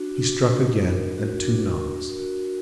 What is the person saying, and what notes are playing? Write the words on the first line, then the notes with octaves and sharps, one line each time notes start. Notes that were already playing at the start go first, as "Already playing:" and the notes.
He struck again, and two knocks.
Already playing: D4 F#4
D4
D4
D4
A#4
F#4
D4
A#4
A#4
F#4
F#4